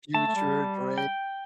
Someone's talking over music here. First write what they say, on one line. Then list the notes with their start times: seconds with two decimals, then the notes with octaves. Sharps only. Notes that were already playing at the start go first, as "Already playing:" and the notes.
Future, Drake.
0.14 A3 A5
0.28 A3
0.36 G3
0.98 G5